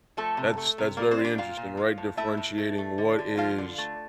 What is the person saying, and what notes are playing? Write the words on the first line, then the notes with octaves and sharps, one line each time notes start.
That's that's very interesting, right, differentiating what is
F3 A3 A4
C3
A3
C3
G3 A#3 A#4
C4 C5
G3
D4 D5
A#2 F4 F5
A#2
F3
A2
A3 E4 E5
A2
A3
A3
D3
D3
F3 F4 F5
D3
A3